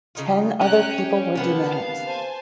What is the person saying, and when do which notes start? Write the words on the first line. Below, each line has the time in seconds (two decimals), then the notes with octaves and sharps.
Ten other people were denounced.
0.15 C#3 D#4 F4
0.61 C3 C#4 G5 A#5 F#6
0.98 G4 C#5
1.35 C3 A#3 B3 F#5 A5
1.72 F5
2.05 C5 G#5 A5